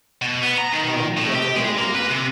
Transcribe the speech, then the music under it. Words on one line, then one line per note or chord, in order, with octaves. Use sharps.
Oh, no.
B2
B3
A#5
D#3
A2
G4
G#3
A#3
B4
C3